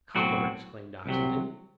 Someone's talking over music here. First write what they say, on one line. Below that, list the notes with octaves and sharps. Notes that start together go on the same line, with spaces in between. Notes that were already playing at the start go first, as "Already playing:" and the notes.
"Copper!" exclaimed Oxenden.
B1 A2 F#3 C4 F#4
C2 C3 F#3